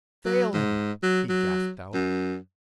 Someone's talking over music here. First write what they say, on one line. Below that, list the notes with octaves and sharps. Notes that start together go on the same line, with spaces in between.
"Phelan!" he gasped out.
F#3
G#2
F#3
F#3
F#2